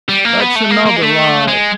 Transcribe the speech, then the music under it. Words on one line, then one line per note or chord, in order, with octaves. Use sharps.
That's another lie!
G3
A#3
B3
A3
A#3
A#3
G#3
A3
G#3